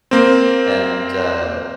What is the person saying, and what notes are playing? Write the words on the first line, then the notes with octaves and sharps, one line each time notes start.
And, uh
A#3 C4